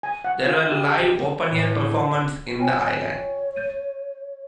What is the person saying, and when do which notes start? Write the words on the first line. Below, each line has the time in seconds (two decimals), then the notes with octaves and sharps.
There were live open-air performances in the island.
0.03 G#5
0.25 F#5
0.47 F4
0.72 G4
1.00 G4
1.50 A2
2.58 F4 C#5 G5 G#5
3.56 G6 A6 D#7